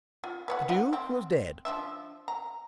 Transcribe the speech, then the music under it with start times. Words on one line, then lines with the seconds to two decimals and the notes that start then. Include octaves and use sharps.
The Duke was dead.
0.24 F4
0.48 B4 C#5 F#5
0.69 D#4 F#5
0.93 C4
1.65 F3 D4 E5
2.28 A#5